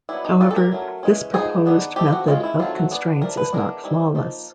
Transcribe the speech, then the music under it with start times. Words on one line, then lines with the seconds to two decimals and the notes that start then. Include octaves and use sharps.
However, this purposed method of constraints is not flawless.
0.09 F#3 B3 D4 E4
0.25 D#4
0.40 G3 A#3 C#4 F4
0.51 A4
0.56 A#4
0.71 F#3 A3 C#4
1.03 E3 G#3 C#4
1.34 F3 G#3 B3 D#4 G#4
1.65 D#3 F#3 B3 D4
1.96 F3 A3 C4 D#4 G4
2.13 F#4
2.27 G#3 C#4 F4
2.43 E4
2.59 D#3 F#3 A3 C4 F4
2.75 F#4
2.91 F#3 B3 D4
3.21 F3 A3 D4 A#4
3.37 B4
3.53 E3 G#3 B3 D4 A#4
3.84 E3 G3 C4 D#4
4.15 F3 A#3 D#4